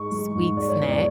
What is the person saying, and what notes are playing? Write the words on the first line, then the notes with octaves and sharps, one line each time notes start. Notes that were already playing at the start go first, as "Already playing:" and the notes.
sweet snack.
Already playing: G#2 G#3 C#6
G#3
G#2
G#3 D5
C#5
E2 C#5
D5